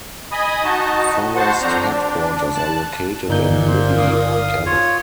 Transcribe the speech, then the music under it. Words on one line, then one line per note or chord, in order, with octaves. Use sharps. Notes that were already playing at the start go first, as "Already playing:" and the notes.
Forest headquarters are located in Libby, Montana.
D#5 G#5 B5 D#6
D#4 F#4 D#5 A5
F#4 C5 F#5 A5
F2 C4 D4 C5 A#5
D4
A5 F#6
G1 A#2 D#4 G6
C5
F5 D#6
F4 C#5